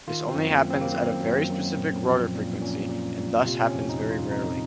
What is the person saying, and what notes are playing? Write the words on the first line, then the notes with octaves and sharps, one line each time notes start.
This only happens at a very specific rotor frequency and thus happens very rarely.
D#3 F4
C4
F#2
A#3
F#2
C4
A#3
F#2 C4
F#3
F#2
A#2
F3
A#2
A#2 C#4
A#2
A#2
C3 F4
C4
C#4
F2
D#4
F2
F4
F2 D#4